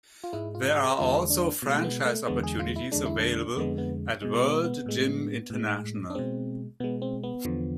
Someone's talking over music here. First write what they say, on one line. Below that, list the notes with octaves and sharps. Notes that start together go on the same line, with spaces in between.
There are also franchise opportunities available at World Gym International.
F4
G#2 G#3 E4
F4
G#4
E2 D3 G#3 F4
D4
B2 G#3
A3
B3
A3
E2 D3 G#3 B3
G#4
F4
E4
E2 D3 G#3 D4
E4
D4
F2 D3 G#3 B3
B3
B2 G#3
B3
B3
A2 G#3
A2 G#3
D4
B2 G#3 C4
B2 G#3 B3
C4
B3
E2 D3 F3